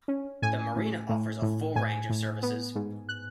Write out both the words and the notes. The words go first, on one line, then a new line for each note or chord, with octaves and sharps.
The marina offers a full range of services.
C#4
A2 G#5
A2
A2
A2
A2 G#5
A2
B3
G#2
F#6